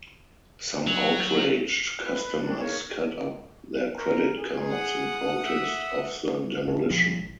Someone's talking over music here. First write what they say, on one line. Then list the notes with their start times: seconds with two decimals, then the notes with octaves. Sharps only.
Some outraged customers cut up their credit cards in protest of the demolition.
0.87 F#3
2.05 B4
2.39 F#3 G#3 A#3 C#4 D4
2.59 A#3 D#4 G#4 A#4 C#5
3.97 A#4
4.38 G#4
4.70 F#5 D#6
5.45 E5
6.68 E1 A2 C#3 D4
6.90 D#1 B2 F3 G#3
7.18 G#1